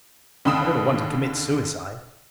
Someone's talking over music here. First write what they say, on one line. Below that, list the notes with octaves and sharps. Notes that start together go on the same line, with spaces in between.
"I do not want to commit suicide."
D#2 D3 B5 D#6 E7